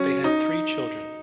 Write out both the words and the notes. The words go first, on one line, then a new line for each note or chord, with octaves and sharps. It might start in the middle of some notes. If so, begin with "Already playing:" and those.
They had three children.
Already playing: F#3 C#4
D#4